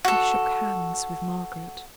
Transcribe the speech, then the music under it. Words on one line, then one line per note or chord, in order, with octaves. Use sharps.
He shook hands with Margaret.
F#4 A4